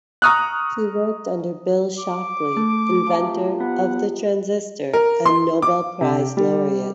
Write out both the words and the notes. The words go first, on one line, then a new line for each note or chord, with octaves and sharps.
He worked under Bill Shockley, inventor of the transistor and Nobel Prize laureate.
A#5 C#6 D#6 F6 F#6
D6
A3
C3 F3
B3 F#5
A#4
C6
D6
C3
G3